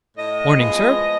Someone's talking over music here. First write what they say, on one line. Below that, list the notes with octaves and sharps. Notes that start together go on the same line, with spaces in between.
'Morning, sir!
A2 D#5
F3 G#3 B3